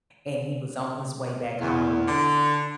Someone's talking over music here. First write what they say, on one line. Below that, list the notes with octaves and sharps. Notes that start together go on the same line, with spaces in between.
And he was on his way back home.
E2
D3